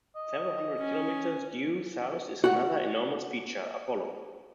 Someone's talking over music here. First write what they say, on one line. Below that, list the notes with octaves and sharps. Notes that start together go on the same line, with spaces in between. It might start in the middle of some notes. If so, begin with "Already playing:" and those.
Several hundred kilometers due south is another enormous feature, Apollo.
D#5
C#4
F#4 F#5